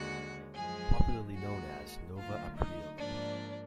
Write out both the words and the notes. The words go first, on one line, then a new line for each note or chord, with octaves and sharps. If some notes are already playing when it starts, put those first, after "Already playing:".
Popularly known as "Nova Aprile".
Already playing: D#2 D3 G#3 F#4 F#5
F#2 F3 G#3 G#4 G#5
D#2 D#3 G#3 F#4 F#5
D2 D3 F#3 A#3 F4 F5
D#4 D#5
G#2 F3 A#3 D4 D5